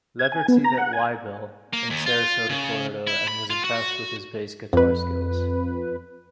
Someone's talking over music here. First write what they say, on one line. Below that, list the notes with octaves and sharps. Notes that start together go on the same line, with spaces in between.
Leverty met Waibel in Sarasota, Florida and was impressed with his bass guitar skills.
G#6
G#5
B3
A#5
F#5
G#5
A#3
D#2
F4
C#3
E4
B5
F4
F#4
F2 B4